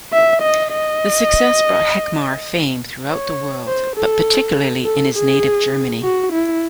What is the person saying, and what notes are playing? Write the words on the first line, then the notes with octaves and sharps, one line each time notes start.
The success brought Heckmair fame throughout the world, but particularly in his native Germany.
E5
D#5
D#5
C#5
C5
A4
A4
G#4
F#4
E4